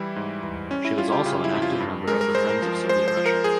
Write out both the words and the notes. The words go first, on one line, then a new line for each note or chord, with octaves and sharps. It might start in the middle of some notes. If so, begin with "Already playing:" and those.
She was also an active member of the Friends of Soviet Russia.
Already playing: E3 G3 E4
G#2
E3
G3 C#4
E4
G3 F4
G4
C#3 F4
E4
F2
F4
G2
G#3 A#4
A#4
G#3 C5
A#4
F3
G#3 C5
C5
F3
A#4
G#4